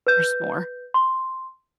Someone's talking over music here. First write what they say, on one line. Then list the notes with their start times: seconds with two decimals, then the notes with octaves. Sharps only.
There's more.
0.07 B4 G6
0.94 C6